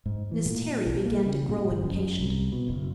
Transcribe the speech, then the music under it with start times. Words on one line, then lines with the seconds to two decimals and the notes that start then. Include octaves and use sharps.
Miss Terry began to grow impatient.
0.06 G#2
0.31 E3
0.46 A#2
0.86 B1
1.05 A#3
1.26 C#3
1.49 A#2
1.69 G1
1.84 F#2
2.20 C2
2.52 B2
2.68 F#1